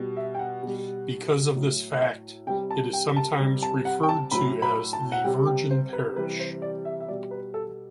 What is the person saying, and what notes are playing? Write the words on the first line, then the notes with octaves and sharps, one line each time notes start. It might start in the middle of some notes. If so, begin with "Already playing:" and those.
Because of this fact, it is sometimes referred to as "The Virgin Parish".
Already playing: B2 G3
E5
G5
F#5
B2 G3
A2 F#3
C3 G3 G5
A5
G5
A5
C3 G3
A5
F#5
G5
A5
A2 F#3 B5
B5
A5
F#5
C3 G3 G5
G5
C5
B4
C3 E3 G3 B4
C5
D5
E5
E5
B2 G3 D5
B4
A4